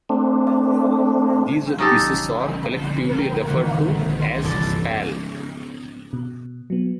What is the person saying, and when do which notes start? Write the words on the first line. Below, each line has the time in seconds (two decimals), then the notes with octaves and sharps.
These pieces are collectively referred to as spall.
0.09 A3 C4 D4
1.78 C#4 D#4 G4 A4
3.17 A#4 G5
3.47 D#3 E3 C4 F#4
4.21 C6
4.43 G1 A4 D5
6.13 B2
6.70 F#3 B3